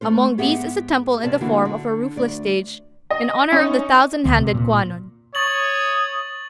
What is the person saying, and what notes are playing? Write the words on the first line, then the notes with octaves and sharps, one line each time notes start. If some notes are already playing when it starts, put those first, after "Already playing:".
Among these is a temple in the form of a roofless stage, in honour of the thousand-handed Kwannon.
A3 C#4 C5
G#2 B3 G4 G#4 E5 F#5
G2 C3 C#4 D5 A5
D3 E3 A#3 D4 E4 F#4
D3
D2 D5
D#5
C#4 D#4
D2
C3
A#2
C#5 C#6 D#6 A6 F#7